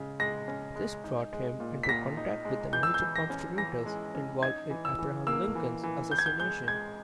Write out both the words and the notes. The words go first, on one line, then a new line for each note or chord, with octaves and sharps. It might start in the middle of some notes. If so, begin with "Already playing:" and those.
This brought him into contact with the major conspirators involved in Abraham Lincoln's assassination.
Already playing: C#3 G#3
G#3 A#6
C#4
G#3
D#4
G#3
A#2
B6
A#2 A#6
D#4
G#3
E3 G6
E6
G6
E3
A#6
C#4
E3 A#6
G#3
C#4
D#4 G#6
E3
E6
E3
A#3 E6
E3
E3
E3 G6
G#6
G6
G#3 G6
G#3 G#6